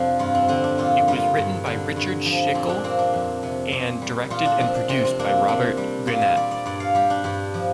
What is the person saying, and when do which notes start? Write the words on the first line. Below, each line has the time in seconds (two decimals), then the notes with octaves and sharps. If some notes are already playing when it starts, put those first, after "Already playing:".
It was written by Richard Schickel and directed and produced by Robert Guenette.
Already playing: F2 C3 F3 C4 D4
0.19 G2 F4
0.35 C4
0.48 D3 C4
0.64 D4
0.78 A#2 F4
1.08 G3 F4
1.37 G2
1.66 D3
1.96 G2
2.25 F3
2.54 A#2 C4
2.69 D4
2.84 A#3 C4
2.99 D4
3.14 F2
3.43 C3
3.72 A#2
4.02 G3
4.30 A#2 F4
4.45 D4
4.60 F3 C4
4.75 D4
4.89 C3 C4
5.05 C4
5.19 A#3 D4
5.48 C3 D4
5.77 G3
6.07 A#2 F4
6.21 A#4
6.36 G3 D5
6.51 D5
6.66 G2 D5
6.80 F5
6.95 G3 G4
7.10 D4
7.24 G2 G4
7.54 F3